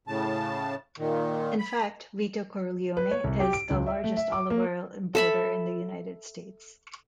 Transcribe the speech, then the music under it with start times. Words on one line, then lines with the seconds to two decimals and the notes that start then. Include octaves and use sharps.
In fact, Vito Corleone is the largest olive oil importer in the United States.
0.08 A2 C#3 A5
0.99 A#2 D#3
1.58 B5
2.97 B4
3.11 C#5
3.24 C2
3.40 G4
3.53 D7
3.70 C#2
3.86 E5
4.04 A3
4.17 E5
4.32 D6
4.50 A#3
5.15 A4 E5 B5